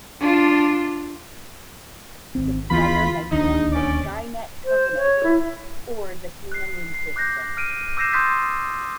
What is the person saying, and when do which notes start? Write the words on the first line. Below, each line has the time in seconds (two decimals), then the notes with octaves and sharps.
The player may join the Skynet terminators or the human resistance.
0.20 D4 F4
2.35 G#1 C4
2.70 D2 E3 B3 F4 B5
3.31 D#1 D2 D4 D#4
3.72 C#4 D5
4.64 C5
4.96 C#5
5.23 E4
6.52 F#6 C7
6.94 C7
7.16 D6 F#6 G6 A#6 C7
7.57 F6 F#6 D7 D#7
7.97 D6 E6 G6 A#6 C7 E7
8.13 C6 D#6 F#6 G6 A6 B6